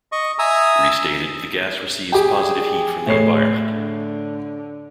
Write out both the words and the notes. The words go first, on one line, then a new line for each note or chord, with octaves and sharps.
Restated, the gas receives positive heat from the environment.
D#5 C#6
E5 G#5 A#5 D#6 E6
G4 G#4 G5
A2 C#5 C7
D3